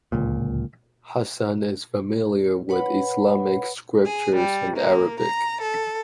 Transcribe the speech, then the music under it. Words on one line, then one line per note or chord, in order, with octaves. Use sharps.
Hasan is familiar with Islamic scriptures and Arabic.
D1 G#1 C#2 A#2
B4 C#5 F#5 B5
G#4
G3
A#3
A#5
A4